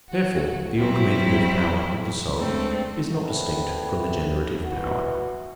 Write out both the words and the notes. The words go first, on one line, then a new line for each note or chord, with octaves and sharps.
Therefore the augmentative power of the soul is not distinct from the generative power.
F#4
F#3 G3 C4 E4
G#3 A3 C4 D4
A#1 A3 B3 C4
E3 F#4